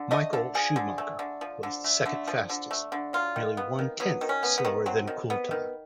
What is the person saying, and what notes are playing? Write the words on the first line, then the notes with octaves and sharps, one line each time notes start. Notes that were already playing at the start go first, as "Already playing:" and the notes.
Michael Schumacher was second fastest, nearly one-tenth slower than Coulthard.
Already playing: D3
A3 D#5
D3 A4
F3 G#4
D3
A3
D3
F3
D3
A3
D3
F3
D3
A3
D3
F#3 F4
D#3
B3
D#3
F#3 B3
D#3
C#4
B3
B3
D#3
F#3 C4
D#3
B3
D#3